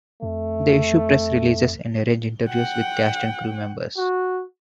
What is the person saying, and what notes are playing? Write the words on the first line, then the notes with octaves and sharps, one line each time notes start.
They issue press releases and arrange interviews with cast and crew members.
F2 A3
F#5 G5
F#4